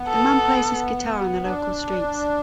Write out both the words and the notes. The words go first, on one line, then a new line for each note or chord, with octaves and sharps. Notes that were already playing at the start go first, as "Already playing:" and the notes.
The man plays his guitar on the local streets.
Already playing: B3
A4
D4